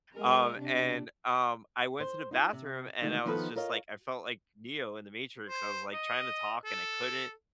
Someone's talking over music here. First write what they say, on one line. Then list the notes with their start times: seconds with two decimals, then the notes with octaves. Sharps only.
Um, and, um, I went to the bathroom, and I was just like I felt like Neo in The Matrix. I was, like, trying to talk, and I couldn't.
0.13 G#3 A#4
0.58 C3 D4
2.00 C5
2.31 D#4 F4
2.53 C3
3.02 D3 D#3 G#3 A3 D#4
3.25 D#3 F3 B3 D#4 A4 B4
3.56 F4 A#4 C#5 D#5 F5
5.50 C5
5.93 D#5
6.65 A4